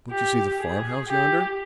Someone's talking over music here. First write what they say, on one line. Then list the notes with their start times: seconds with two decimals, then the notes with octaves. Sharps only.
Don't you see the farm-house yonder?
0.11 G4
0.59 G#4
1.08 G4